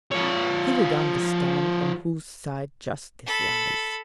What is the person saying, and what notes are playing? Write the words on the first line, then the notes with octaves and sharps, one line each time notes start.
He would understand on whose side justice lies.
F3 C#5
A4 B5